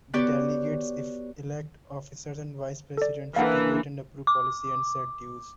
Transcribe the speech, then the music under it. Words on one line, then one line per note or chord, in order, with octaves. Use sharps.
The delegates elect officers and vice presidents, debate and approve policy, and set dues.
B3 F#4 G4 C#5 D5 D6
A4 D5
E3 A#3 D4 F5 F#5
D6